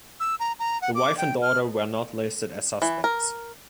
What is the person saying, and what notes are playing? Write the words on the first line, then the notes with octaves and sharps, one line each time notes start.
The wife and daughter were not listed as suspects.
E6
A#5
A#5
F#5
D6
G5
F6
E3
A#4